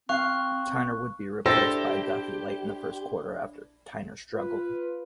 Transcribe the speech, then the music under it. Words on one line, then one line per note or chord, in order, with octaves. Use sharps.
Tyner would be replaced by Duffey late in the first quarter after Tyner struggled.
C4 F5 C#6 F#6
D4 E4 G4 A4 C5 A#6
F4 B4